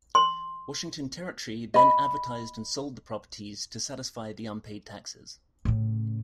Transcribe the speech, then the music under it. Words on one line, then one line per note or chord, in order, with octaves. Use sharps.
Washington Territory then advertised and sold the properties to satisfy the unpaid taxes.
C6
D#5 B5
A2 C#3